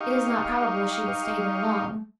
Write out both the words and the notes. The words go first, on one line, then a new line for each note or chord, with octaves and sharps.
It is not probable she will stay there long.
D#4 G4 D#5 F5 C#6